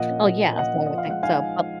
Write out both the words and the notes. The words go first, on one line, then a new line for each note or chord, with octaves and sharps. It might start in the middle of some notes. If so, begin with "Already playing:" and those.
Oh, yeah. So, I would think so, but
Already playing: A#2 F3 A#3 D#5 F#5
C#4
A#2
F3
A#3 D#5 F#5
C#4
F3 D#5
F5
G#3 F#5
D#4 F5 G#5
F3
F3